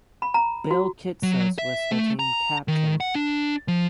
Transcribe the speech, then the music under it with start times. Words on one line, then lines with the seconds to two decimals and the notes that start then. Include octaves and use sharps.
Bill Kitsos was the team captain.
0.22 B5
0.34 A#5
0.71 F#4
1.23 F#3
1.58 E5
1.92 A3
2.19 A#5
2.68 D#3
3.00 F#5
3.15 D4
3.68 F3